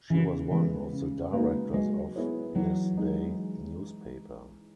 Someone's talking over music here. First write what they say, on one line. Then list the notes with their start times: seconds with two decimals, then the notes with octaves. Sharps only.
She was one of the directors of Thisday Newspaper.
0.10 C#3 E3
0.51 E3 G#3 B3
0.92 C#3
1.33 G#3 A#3 D#4 F#4 B4
1.74 F#3 G#3
2.16 B3 E4 G#4 C#5
2.56 E3 F#3
2.97 G#3 D#4